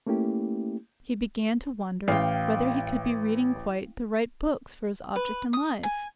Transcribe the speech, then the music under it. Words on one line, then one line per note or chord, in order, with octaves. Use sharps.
He began to wonder whether he could be reading quite the right books for his object in life.
A3 A#3 C#4 E4 G4
A1 F5 G5
B4
D#6
G#5